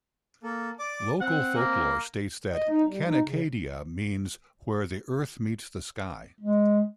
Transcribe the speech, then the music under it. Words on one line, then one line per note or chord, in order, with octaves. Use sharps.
Local folklore states that "Kanakadea" means "where the earth meets the sky".
A#3 A4
D5 D6
C4 F#5
A#3
D#5
D#4
G3
D#4
C#3
G#3